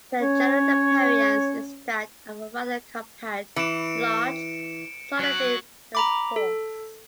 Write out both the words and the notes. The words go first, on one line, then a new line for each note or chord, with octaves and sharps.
The general appearance is that of a rather compact, large, solidly-built horse.
C#4 C#5
E3 C#7 D7 E7
F#3 F#4
A#5 B5 D6
A4